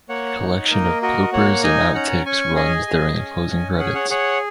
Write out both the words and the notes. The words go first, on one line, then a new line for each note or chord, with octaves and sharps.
A collection of bloopers and outtakes runs during the closing credits.
A#3 C#5 F#5
D#4
A#3 A#4 D#5
F#4 A#4 D#5
A#3 C#5 F#5
D#4 D#5 G#5
C#4 F#5 A#5
C#4 G#5 C#6
G#4 D#5 G#5
G#4
C#4
C#4
G#4 F#5
G#5
C#5 F#5
G#4 C#5 F#5